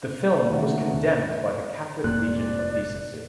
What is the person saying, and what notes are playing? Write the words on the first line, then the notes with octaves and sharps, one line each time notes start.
The film was condemned by the Catholic Legion of Decency.
D#2 D#3 A3 F#4
F1 A#2 D5 F#6